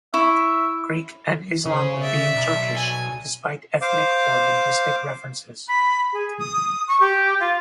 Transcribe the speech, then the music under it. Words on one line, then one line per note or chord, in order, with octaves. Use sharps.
Greek, and Islam with being Turkish, despite ethnic or linguistic references.
E4 E5 C#6
C#3 G#4 C5
D5 E5
B1
G#5
C5 F5 D6
B5
G#4
D#6
C#6
G4
F4